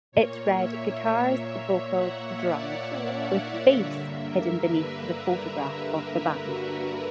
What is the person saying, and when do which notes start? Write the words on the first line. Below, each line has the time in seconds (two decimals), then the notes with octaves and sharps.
It read "guitars, vocals, drums", with "bass" hidden beneath the photograph of the band.
0.12 A#2 A#3 C#5
0.57 E5
1.92 F#5
2.37 D5
2.83 D5
3.28 F#5
3.73 G2 D3 A#3 E5
4.18 A#4
4.63 B4
5.09 A#4
6.44 F#4